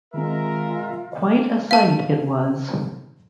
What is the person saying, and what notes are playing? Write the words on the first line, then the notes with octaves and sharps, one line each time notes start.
Quite a sight it was.
D#3 G#3 C4 F4 A#4 E5 A#5
F5 A5